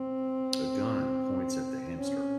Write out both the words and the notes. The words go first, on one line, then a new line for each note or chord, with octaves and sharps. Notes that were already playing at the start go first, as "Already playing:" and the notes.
A gun points at the hamster.
Already playing: C4
C#4